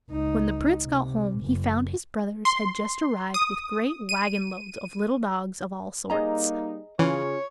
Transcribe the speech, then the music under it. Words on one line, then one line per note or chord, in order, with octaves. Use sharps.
When the Prince got home he found his brothers had just arrived with great waggon-loads of little dogs of all sorts.
C#2 D#4
C3
F#1
C6
D#6
D#7
G3 A#3 D#4 G#4 D#5 A#5
C#3 E3 C#4 F4 C#5